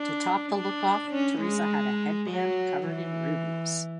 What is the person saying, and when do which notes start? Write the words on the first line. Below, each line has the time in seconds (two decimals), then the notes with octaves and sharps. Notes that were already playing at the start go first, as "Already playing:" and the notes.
To top the look off Theresa had a head band covered in rubies.
Already playing: D4
0.52 D4
1.11 C#4
1.41 G#3
2.30 F#3
2.89 E3